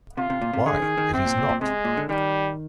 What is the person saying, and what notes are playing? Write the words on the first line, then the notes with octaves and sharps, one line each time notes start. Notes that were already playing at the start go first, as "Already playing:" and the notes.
Why, it is not!
C3 F4
C3
A#2
C3
D3 G#4
D#3
D#3
C3 C4
A#2
A#2
A#2
C3 G#3
A#2
D3
D#3 G3